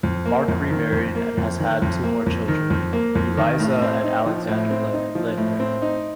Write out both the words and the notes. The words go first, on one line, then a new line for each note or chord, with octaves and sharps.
Mark remarried and has had two more children, Eliza and Alexander Lehner.
F2
A#3
F2
D#3
F2
A#3
F2
D#3
F2
A#3
F2
D#3
F2
A#3
F2
D#3
A2
C4
D#4
F3
A2
C4
D#4
F3
A2
C4
D#4